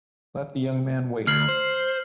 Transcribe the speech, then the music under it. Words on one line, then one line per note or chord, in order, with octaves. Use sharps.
Let the young man wait.
D2 F6 C7 F#7
C5